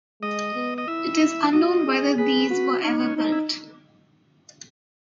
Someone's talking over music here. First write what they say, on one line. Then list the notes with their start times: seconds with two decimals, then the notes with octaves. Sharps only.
It is unknown whether these were ever built.
0.22 G#3 D#5
0.55 B3
0.78 D#5
0.88 E4 E5
1.53 F#4 D#5
1.86 G#4
2.18 G#4 B4
2.50 F#4
2.83 C#4 D#4
3.00 C#4
3.16 D#4
3.32 E4